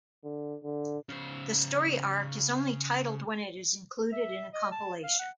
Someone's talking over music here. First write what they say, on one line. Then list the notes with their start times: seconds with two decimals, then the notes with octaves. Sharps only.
The story arc is only titled when it is included in a compilation.
0.24 D3
0.63 D3
1.09 C#3 C5
4.12 E5
4.53 D#5
4.72 A5
5.03 F5
5.19 F#5